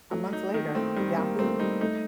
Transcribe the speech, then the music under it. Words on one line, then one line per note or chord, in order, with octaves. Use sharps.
A month later, Yahoo!
F#3 A3
D#4
D#3 A#3
A3 C4
D#3 G3
A#3 C4
A3 C4
G3 D#4
A3 D#4